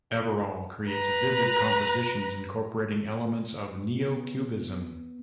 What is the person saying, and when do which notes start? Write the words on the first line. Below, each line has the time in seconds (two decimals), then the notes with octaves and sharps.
Everall creates vivid compositions incorporating elements of neo-cubism.
0.90 B4 A#5
4.00 B3